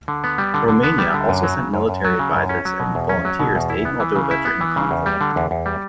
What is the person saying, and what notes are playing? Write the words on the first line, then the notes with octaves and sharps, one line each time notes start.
Romania also sent military advisors and volunteers to aid Moldova during the conflict.
D3
B3
G3
D3
D3
B3
G3
D3
F#2
F#3
C#3
F#2
F#2
F#3
C#3
F#2
C#4
F#3
B2
E2
C#4
F#3
B2
E2
E4
B3
E3
C#3
E4
B3
E3
C#3
E2
G3
D3
E2
E2
G3